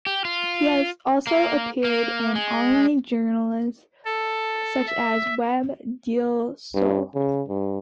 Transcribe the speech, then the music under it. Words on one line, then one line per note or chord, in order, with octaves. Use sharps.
She has also appeared in online journals such as "Web Del Sol".
G4
F4
A#3
A#3
G#3
A4
E5
G2
C#3
G2